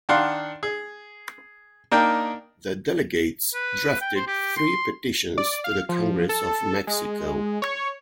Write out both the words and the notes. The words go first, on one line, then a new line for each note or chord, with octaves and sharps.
The delegates drafted three petitions to the Congress of Mexico.
D#3 D4 F5 F#5 C6
G#4
A#3 D4 D#4 A#4 G5
B4
G5
C5
G4
C6
D5
F5
F3
A4
G#3
C#5